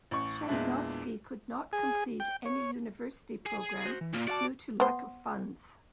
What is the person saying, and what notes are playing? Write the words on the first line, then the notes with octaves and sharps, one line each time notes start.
Shatunovsky could not complete any university program due to lack of funds.
A1 C#6
E2 A#2 G#3 D4 E4
G#4
G5
C#5
G#4
F#4 C5
E3
B1 A#2 A#3 F4
F#4 D5 F5 A5
B3 C5